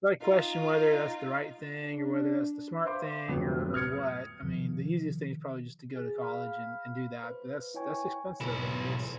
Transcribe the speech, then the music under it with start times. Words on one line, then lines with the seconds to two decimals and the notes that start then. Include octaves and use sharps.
I question whether that's the right thing or whether that's the smart thing or or what, I mean, the easiest thing is probably just to go to college and and do that, but that's that's expensive, I mean, it's
0.21 D#4 F4
1.83 D4
2.85 C5 E5 F5 B5 C6 D6
3.28 F2 A2 D3 F#3 B3
3.61 D1
3.73 D#6 F6 G#6 C#7
4.43 C3 D#3 F3
5.96 G#4
6.21 F5 B5 F6
7.24 B4 C5
7.74 E4 C#5 G5 G#5 C#6
8.41 B1 E4